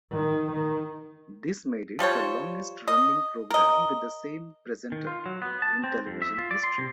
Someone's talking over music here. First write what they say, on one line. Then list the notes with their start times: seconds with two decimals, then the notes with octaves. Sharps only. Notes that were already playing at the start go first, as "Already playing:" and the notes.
This made it the longest-running programme with the same presenter in television history.
0.11 D#3
0.53 D#3
1.99 F3 G3 C5 C#5
2.88 D#5
3.50 A#4 D#5
4.92 D#3
5.07 F4
5.26 F#3
5.42 B3
5.62 A5
5.84 C4
6.07 F2
6.22 E5
6.38 F4
6.51 D5
6.63 C6
6.78 C3